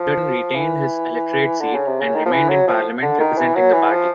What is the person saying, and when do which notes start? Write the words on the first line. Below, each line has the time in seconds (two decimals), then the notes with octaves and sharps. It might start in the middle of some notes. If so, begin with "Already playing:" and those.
Anderton retained his electorate seat and remained in Parliament representing the party.
Already playing: F3
0.54 E3
1.60 D3
1.74 C#3
1.87 C3
2.00 C#3
2.14 D#3
2.26 F3
2.31 E3
2.49 F#3
2.67 F3
3.02 D3
3.20 D#3
3.37 E3
3.55 F#3
3.73 E3
3.91 F3